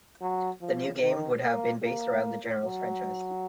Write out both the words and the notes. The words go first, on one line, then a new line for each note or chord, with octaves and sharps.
The new game would have been based around the "Generals" franchise.
F#3
F3
D#3
A#3
A#3
F#3